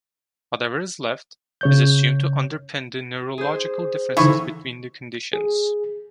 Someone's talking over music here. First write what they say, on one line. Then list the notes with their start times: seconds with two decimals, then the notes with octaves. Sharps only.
Whatever is left is assumed to underpin the neurological differences between the conditions.
1.61 C#3 C#5 G6
3.38 G#4 C5
4.17 D3 E3 D#4 E4 C#6
5.33 G#4